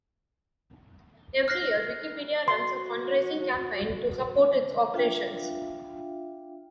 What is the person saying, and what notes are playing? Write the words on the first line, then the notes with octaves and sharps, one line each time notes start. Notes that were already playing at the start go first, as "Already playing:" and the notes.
Every year, Wikipedia runs a fundraising campaign to support its operations.
F6 F#6 A#6 C7
F#4 C6
D4 F4 E5 F5 G5